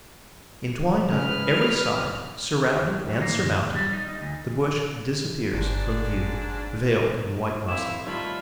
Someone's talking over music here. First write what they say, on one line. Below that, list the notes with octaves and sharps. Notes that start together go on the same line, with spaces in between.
Entwined on every side, surrounded and surmounted, the bush disappears from view, veiled in white muslin.
C#3 G#3 B4 F6
B5
F#3
A#3
F#2
D#2
G3
D#4
D#4
D2
G1 G#2 D4
C4 E4 F5 E7
D#3 G3 A3 F4 C#5 B5